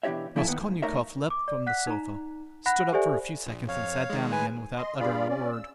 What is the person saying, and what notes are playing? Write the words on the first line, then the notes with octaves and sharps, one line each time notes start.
Raskolnikov leapt from the sofa, stood up for a few seconds and sat down again without uttering a word.
B2 E3 D4 G4 C#5 E5
F3 A#3 E4 A4 E5 G#5
D#3 A#3 B3
G#2
A3 D#4 A#4 C#5 D5 E5
D6
D5
F#5 F#6 B6
D#4 A#5
F#5 B5 F#6 A#6
G4 A4 C5 D5 E5 G#5
A#1
F2 C#5 F5
D#3 G#3
B4 G#5
D#5 C6
G2 F4 G#4 D5 F5 B5
C#4 D5
E6